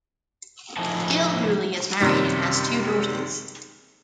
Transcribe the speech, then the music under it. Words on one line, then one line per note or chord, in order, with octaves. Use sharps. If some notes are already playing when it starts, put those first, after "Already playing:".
Gilhooly is married and has two daughters.
A2 F3 D#4 E4 G#5 A5
F#2 C3 D#3 G3